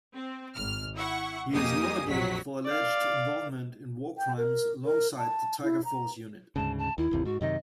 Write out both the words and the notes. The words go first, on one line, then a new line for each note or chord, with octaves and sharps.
He is notable for alleged involvement in warcrimes alongside the Tiger Force unit.
C4
G#1 F6
E4 F#5 C#6
F2 A#3 D#4 G4 G#5 D#6
A#1 F2 F#3 F#5 B6
D5 F5
G5
A#4
A#4
A5
E4
A#5
D2 G#2 C#3 A5
A5
D#2 E4
G1 D#2 C3
G#2 F#4
F#2 C3 D#3 D#5